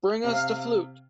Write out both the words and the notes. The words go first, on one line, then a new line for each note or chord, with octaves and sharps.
Bring us the flute!
C3 F5